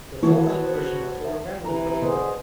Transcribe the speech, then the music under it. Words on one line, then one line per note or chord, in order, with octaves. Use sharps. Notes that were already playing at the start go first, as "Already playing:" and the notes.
The full-length version was overwhelmingly preferred.
D#3 E3 B3 E4 F#4 A#4 C#5 A5
C5
E5
C3 E3 A#5
B2 D3 G#4 C5